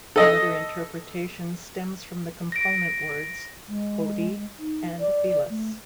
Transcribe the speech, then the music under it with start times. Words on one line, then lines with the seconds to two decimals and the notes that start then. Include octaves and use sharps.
Another interpretation stems from the component words: "odi" and "velas".
0.16 A4 D#5
2.52 A#6 D7
3.68 G#3
4.59 D#4
4.99 D5
5.49 A3